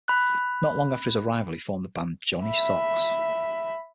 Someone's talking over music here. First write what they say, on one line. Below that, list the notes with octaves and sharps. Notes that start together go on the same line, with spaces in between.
Not long after his arrival he formed the band Johnny Sox.
B5 F#6
E5 B5